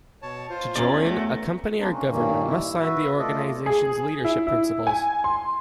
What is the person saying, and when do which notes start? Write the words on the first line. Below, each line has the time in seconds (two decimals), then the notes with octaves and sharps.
To join, a company or government must sign the organization's leadership principles.
0.22 B2 C#5 A5
0.50 F4 C5
0.76 E2 C#4 D5 A#5
1.05 A3 F#4 E5
1.79 G#3 A#3 C4 D4 D#4
1.92 C#4
2.08 G2 A#2 D#3 A#3 C#4
2.45 E4
2.81 F#4 B4 E5
3.18 A3 F4 A4 D5 D#5
3.66 G#4
4.25 E4
4.47 E4
4.87 G#5
5.24 C6